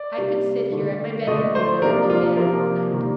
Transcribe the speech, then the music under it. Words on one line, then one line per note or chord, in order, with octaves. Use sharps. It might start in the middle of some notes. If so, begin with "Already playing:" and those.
I could sit here at my bedroom window and look at it all night.
Already playing: D5
C3 G3 A#3 D4
D3 A3 D4
D3 A3 D4 D#5
C5
C3 F3 A#3 D4 A#4
F4
C3 F3 A#3 D4 A#4
D#3 G3 A#3 D4